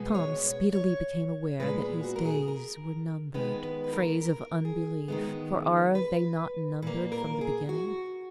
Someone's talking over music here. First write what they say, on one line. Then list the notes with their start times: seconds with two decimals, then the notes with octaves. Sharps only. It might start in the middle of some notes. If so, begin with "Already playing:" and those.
Tom speedily became aware that his days were numbered--phrase of unbelief, for are they not numbered from the beginning?
Already playing: B2 G#3 B3
0.15 C#5
0.44 C#5
0.73 C#5
1.60 A#2 G#3 B3 B4
1.81 G#4
2.04 F#4
2.16 A#4
2.26 G#4
2.48 A#4
3.34 D#3 G#3 B3 B4
3.64 B4
3.84 B4
3.93 A#4
4.21 A#4
4.65 G#4
5.08 D#3 G#3 B3
5.95 B4
6.82 A#2 A#3 B4
7.12 A#4
7.41 G#4
7.69 F#4